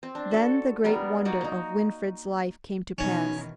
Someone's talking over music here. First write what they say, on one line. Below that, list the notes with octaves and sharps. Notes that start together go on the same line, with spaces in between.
Then the great wonder of Winfried's life came to pass.
C4
D4
F#4 A4
G3 B3 D4 A#4
A#3 D#4 F#4 D5
A#3 D#4
B2 D#3 E3 C#4 D#4